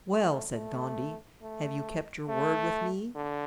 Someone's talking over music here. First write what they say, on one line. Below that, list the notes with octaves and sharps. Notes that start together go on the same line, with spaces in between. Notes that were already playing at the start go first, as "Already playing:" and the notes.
"Well," said Gondy, "have you kept your word with me?"
A3
A3
A3
A3
D3